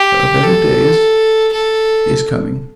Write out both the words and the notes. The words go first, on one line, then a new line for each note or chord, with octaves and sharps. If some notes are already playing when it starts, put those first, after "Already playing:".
A better day is--is coming.
Already playing: G4
A4
A4